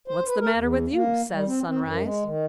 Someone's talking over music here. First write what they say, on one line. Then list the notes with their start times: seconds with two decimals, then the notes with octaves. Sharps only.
"What's the matter with you?" says Sunrise.
0.08 C5
0.27 B4
0.40 A#4
0.54 E2
0.93 A#3
1.32 G3
1.46 C4
1.67 C4
1.81 F#2
2.03 G#3
2.24 D#3